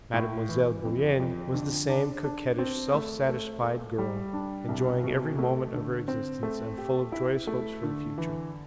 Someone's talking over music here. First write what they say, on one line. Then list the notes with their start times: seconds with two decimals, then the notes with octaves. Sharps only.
Mademoiselle Bourienne was the same coquettish, self-satisfied girl, enjoying every moment of her existence and full of joyous hopes for the future.
0.14 A2
0.49 E3
0.85 F2
1.20 F2
1.54 D3
1.89 D4
2.24 D4
2.58 C4
2.94 A3
3.29 A3
3.63 A3
3.98 G3
4.33 D4
4.68 C2
5.04 B2
5.38 A3
5.74 D3
6.08 C4
6.43 A3
6.78 G4
7.12 E4
7.47 A3
7.83 D3
8.18 E3